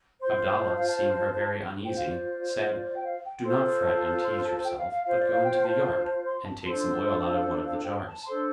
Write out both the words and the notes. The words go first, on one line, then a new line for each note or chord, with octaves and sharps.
Abdalla, seeing her very uneasy, said, "Do not fret and tease yourself, but go into the yard, and take some oil out of one of the jars."
F4 C5 C6
C6
C6
A5
F5
A5
F4 C5 G5
F5
D5
D5
D5
D5
G5
F5
G5
F4 A4 C5 C6
A5
A5
C6
A5
G5
F5
F5
F4 C5 F5
D5
F5
G5
A5
C6
A5
D4 F4 A4 C5 C6
C6
A5
C6
A5
F5
D5
F5
G5
A5
A5
D4 A4 C5 C6